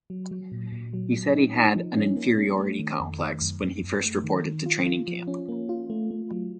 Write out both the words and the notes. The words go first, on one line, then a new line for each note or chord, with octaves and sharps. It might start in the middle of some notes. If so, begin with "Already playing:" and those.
He said he had "an inferiority complex" when he first reported to training camp.
F#3
F#3
A#2
A#2
F#3
F#3
D#4
D#4
F3
C#4
A#3
C#4
A3
D#3
F2
D#3
F#2
F#2
F#2
A3
D#3
D#3
F4
F4
F3
C#4
A#3
F4
A3
A3
F#3